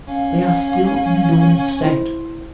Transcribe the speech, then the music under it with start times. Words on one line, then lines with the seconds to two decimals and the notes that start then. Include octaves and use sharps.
They are still in a dormant state.
0.07 C#4 F5
1.80 E4 C5